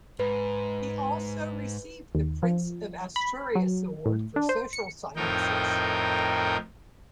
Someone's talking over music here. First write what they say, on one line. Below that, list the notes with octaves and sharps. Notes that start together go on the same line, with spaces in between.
He also received the Prince of Asturias Award for Social Sciences.
G#2 B4
D#2
F3
B5
F#3
A2
D4
C5
C#7
F2 A2 D#4 A#4 G5